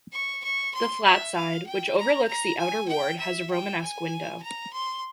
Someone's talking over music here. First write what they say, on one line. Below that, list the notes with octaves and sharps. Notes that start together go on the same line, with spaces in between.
The flat side, which overlooks the outer ward, has a Romanesque window.
C#6
C#6
C6
E5
F5
G5
A#5
A#5
G#5
G5
E5
G5
G#5
A#5
C6